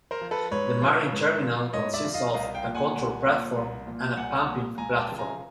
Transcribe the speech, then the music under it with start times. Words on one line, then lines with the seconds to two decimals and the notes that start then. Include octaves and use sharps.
The Marine Terminal consists of a control platform and a pumping platform.
0.11 A#4 C5
0.21 F3
0.31 A4 B4
0.51 G#2 B4 C#5
0.82 F3
1.12 G#2
1.43 F3
1.73 G#2 C#5 D#5
1.94 D5 E5
2.04 F3
2.14 D#5 F5
2.34 C2 D#5 F5
2.55 F5 G5
2.64 A#2 F3
2.75 F#5 G#5
2.95 C2
3.26 A#2 F3
3.56 C2
3.87 A#2 F3
4.17 C2 F#5 G#5
4.48 A#2 F3
4.78 C#2 G#5 A#5
4.98 G5 A5
5.08 C#3 F3
5.19 G#5 A#5